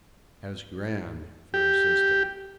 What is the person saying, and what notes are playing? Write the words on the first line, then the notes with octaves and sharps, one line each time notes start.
He has Gran for assistant.
G4